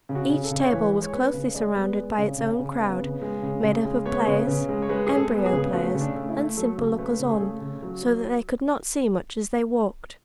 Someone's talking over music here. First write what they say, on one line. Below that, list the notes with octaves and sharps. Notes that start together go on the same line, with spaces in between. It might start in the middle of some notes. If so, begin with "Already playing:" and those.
Each table was closely surrounded by its own crowd, made up of players, embryo players, and simple lookers-on, so that they could not see much as they walked.
C#3
F#4
C#3
A4
C#3
C#5
E3 B4
G#3
C#5
B3 B4
C#3
G#3 D5
B3
G#3
C#3
C#3
C#3
B3
C#3
G#3
C#3
C#3
G#3
B3 C#5
C#3
C#3
G#3
C#5
G#3 B4
G#3 G#4
A4
B3
G#4
C#3
A3 F#4
C#3
D4
A3
E4
A3
F#3 A4
C#3
A3 B4
C#3
G#4
A3 A4
C#3
F#3
F#3